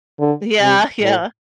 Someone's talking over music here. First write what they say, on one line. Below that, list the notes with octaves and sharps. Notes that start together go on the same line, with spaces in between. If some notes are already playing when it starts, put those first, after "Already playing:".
Yeah. Yeah.
D3
C3
A2